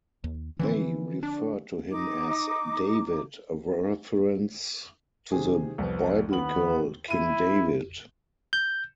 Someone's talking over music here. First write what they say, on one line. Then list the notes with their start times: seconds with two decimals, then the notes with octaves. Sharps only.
They referred to him as 'David', a reference to the Biblical king David.
0.24 D#2
0.59 D3 E3 F3 C4
1.23 D4
1.90 D#4 D6
5.32 C3 D#3 G#4
5.78 C2 F2 B3
6.32 D#2 B3 B4 F#7
7.10 E4 D#7
8.53 G6